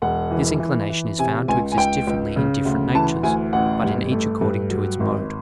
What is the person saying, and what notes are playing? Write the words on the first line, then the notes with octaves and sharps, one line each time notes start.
This inclination is found to exist differently in different natures; but in each according to its mode.
E1 F#5
E3
E3
E3
C3 G#5
C#2 G#5
G#5
C#2 G5
C#2
C#3
D2
E3 A5
D2 G#5
A1 F#5
G2
A3
G2
F#3
G#1